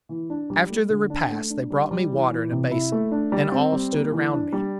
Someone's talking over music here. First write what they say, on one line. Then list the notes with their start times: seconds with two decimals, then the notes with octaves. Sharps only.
After the repast they brought me water in a basin, and all stood around me.
0.09 E3
0.30 D4
0.50 G3
0.70 A3
0.89 D3
1.10 D4
1.30 A3
1.50 D4
1.70 G3
1.91 G3
2.11 E3
2.31 E3
2.52 C3
2.71 E4
2.92 A3
3.12 D4
3.32 G3
3.52 C4
3.72 G3
3.93 A#3
4.12 E3
4.32 D4
4.53 G3